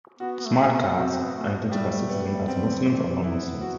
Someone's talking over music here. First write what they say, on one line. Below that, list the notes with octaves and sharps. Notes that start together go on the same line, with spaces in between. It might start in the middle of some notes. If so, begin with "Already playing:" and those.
Smart Cards identify citizens as Muslims or Non-Muslims.
B3 F#4
B3
A3
B3
C4 F#4
B3
A3
B3
G3 A3
A3
B3
G3
G3 C4
D3
E3
E3
B3 E4
F#4